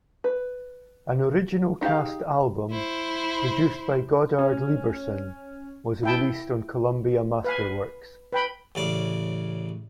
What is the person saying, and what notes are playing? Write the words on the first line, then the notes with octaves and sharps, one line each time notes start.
An original cast album, produced by Goddard Lieberson, was released on Columbia Masterworks.
B4
D#4 G4 G#4 F5
E4 C5
C#4
E4 G5 A5
B4 F5 G#5
B4 G5 B5
A1 C#3 D5